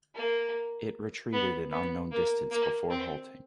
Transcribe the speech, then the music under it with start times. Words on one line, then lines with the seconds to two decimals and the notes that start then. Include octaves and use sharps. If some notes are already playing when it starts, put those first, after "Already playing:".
It retreated an unknown distance before halting.
0.14 A#3
1.32 B3
1.72 B3
2.11 A#3
2.51 A#3
2.89 C4